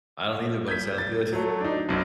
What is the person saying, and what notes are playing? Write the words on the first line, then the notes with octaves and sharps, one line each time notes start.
I don't either, but it sounds good.
G6 G#6 B6
A6
F#3 A3
D4 D#4
B1 F#2